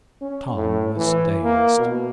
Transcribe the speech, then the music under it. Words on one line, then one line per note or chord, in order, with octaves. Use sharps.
Tom was dazed.
C#4
A2
E3
A#3
B2